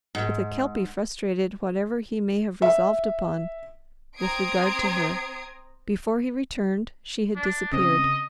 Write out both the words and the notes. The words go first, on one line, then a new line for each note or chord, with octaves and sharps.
But the Kelpie frustrated whatever he may have resolved upon with regard to her: before he returned she had disappeared.
G#2
E5
C4 A#5 D#6 G#6 C7 D7
D4
C#3 C4 D#5